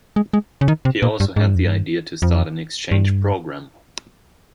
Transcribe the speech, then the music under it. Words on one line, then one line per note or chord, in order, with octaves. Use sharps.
He also had the idea to start an exchange program.
G#3
G#3
C#3
D#3
C3
A#2
G2
G#2
G2
F2
G2
F2
G2